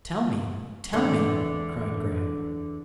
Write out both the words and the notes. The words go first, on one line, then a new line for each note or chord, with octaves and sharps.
"Tell me, tell me!" cried Graham.
E2 D3